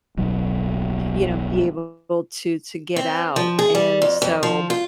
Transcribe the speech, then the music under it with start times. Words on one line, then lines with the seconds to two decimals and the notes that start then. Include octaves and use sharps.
you know, be able to to get out, and so,
0.17 D1 B1 F#3
2.96 C4
3.36 F3
3.59 G#4
3.75 G3
4.02 F2
4.22 F2
4.43 F3
4.70 F4